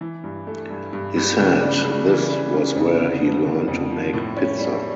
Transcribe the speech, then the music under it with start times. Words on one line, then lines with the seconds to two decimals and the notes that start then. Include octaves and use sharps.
He said this was where he learned to make pizza.
0.01 E3
0.24 G2
0.47 A3
0.70 G2
0.93 G2
1.16 G2
1.38 C#3
1.61 D4
1.85 C#3
2.08 E3
2.30 G3
2.53 C#3
2.76 F2
2.98 D3
3.22 F3
3.45 D3
3.68 F2
3.90 F3
4.13 A2
4.37 C#4
4.59 G3